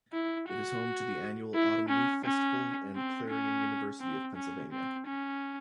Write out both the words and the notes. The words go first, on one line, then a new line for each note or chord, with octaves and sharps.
It is home to the annual Autumn Leaf Festival and Clarion University of Pennsylvania.
E4
F#4
E4
C#4
C#4
C4
C#4
C4
C#4
C4
C#4